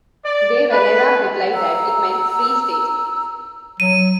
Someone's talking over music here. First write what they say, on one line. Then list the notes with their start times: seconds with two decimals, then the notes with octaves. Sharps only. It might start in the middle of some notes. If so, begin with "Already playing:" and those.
De Valera replied that it meant 'Free State'.
0.24 D5
0.71 B4
1.52 A#5 E6
3.80 F#3 D#7